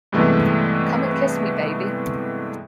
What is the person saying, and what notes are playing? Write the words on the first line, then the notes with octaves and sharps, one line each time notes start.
Come and kiss me, baby.
G2 C3 E3 G#3 A3 B3